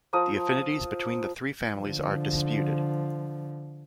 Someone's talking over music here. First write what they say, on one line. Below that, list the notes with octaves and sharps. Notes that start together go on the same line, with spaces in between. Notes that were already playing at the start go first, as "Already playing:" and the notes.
The affinities between the three families are disputed.
F3 A#4 D#6
D3 F3